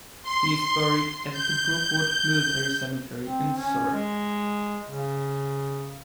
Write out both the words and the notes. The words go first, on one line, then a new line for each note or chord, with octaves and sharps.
He is buried at the Brookwood Military Cemetery in Surrey.
C6
G6
C4
C#4
G#3
C#3